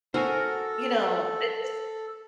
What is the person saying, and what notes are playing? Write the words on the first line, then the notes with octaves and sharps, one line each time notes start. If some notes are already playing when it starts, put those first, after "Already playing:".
you know? It's just
F#4 A4 A#4 C5 F#5 G#5